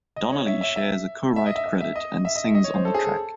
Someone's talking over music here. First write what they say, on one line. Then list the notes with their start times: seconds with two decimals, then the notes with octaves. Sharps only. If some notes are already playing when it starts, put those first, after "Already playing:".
Donelly shares a co-write credit and sings on the track.
0.16 D#5
0.32 C#5
0.46 E5
0.61 E5
0.76 E5
1.36 E5
1.46 D#5
1.56 E5
1.66 E5
1.81 E5
1.96 D#5
2.25 E5
2.36 D#5
2.45 E5
2.55 D#5
2.64 C#5
2.75 C5
2.85 A4
2.94 G#4
3.04 A4